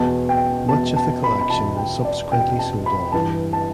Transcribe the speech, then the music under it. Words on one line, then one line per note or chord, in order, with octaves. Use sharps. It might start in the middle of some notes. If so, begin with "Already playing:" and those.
Much of the collection was subsequently sold off.
Already playing: E2 B2 A5
G5
E2 B2 A5
A5
B5
B5
E2 B2 A5
G5
D5
E2 B2 G5
A5
B5
G2 E3 A5
A5